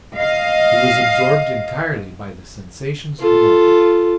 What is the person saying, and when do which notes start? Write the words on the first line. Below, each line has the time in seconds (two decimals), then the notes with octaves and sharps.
He was absorbed entirely by the sensations of the moment.
0.17 D#5 F5
3.20 F4 A4